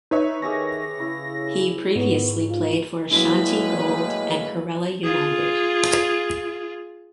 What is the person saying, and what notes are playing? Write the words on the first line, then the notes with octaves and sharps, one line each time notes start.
He previously played for Ashanti Gold and Karela United.
D#4 B4 C#5 E5
D#3 C#4 G4 G#4 A#6
C#3 E4
G#2 B3
F4
A2 F#3 G#3 A#3 E4 B4
F4 G#4